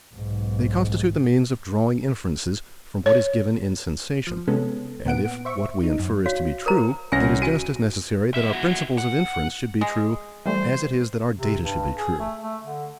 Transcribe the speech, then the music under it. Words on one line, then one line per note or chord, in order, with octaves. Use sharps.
They constitute the means of drawing inferences from what is given in sensation; and if what we infer is to be true, it is just as necessary that our principles of inference should be true as it is that our data should be true.
B1 G#2
C#5
F3
C3 G#3 B3 C#4 A4
A#2 B3 F#5 D7
C5 E5 C#6
D#4
F#2
F#4 C#5 F5
A#4 C5 A#5
C2 C#4 B4 G#5 A#6
F#4 G#5 D#7
B1 E5
E4 F#4
F#5
G#3
E3 G3 A3 C5
C3
G2
G#4
A3
A3
D3